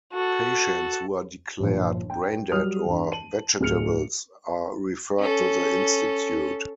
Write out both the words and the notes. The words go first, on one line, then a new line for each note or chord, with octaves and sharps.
Patients who are declared brain dead or "vegetables" are referred to the institute.
F#4 A4
G1 A#2 F3
G5
F#3 G3 D#6 F6 F7
E2 G2
A5 D#7 F#7
D1 G#4 F6 C#7 F7
C#4 A4